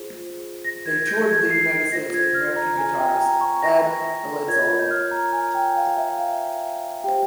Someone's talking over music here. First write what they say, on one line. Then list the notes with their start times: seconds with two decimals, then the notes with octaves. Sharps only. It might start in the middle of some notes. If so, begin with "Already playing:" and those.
They toured the United States with American guitarist, Ed Elizalde.
Already playing: F4 G#4 C5
0.64 A#6
0.86 G#6
1.07 G6
1.29 G#6
1.50 C7
1.71 C7
1.92 F4 C5 A#6
2.14 G#6
2.34 F6
2.56 A#5
2.78 G#5
2.99 G5
3.21 A#5
3.41 C#6
3.62 A#6
4.48 F4 A#4 C#5 G#6
4.79 G6
4.91 F6
5.11 A#5
5.33 G#5
5.55 G5
5.76 F5
5.97 E5
6.19 F5
7.04 G4 C5 G5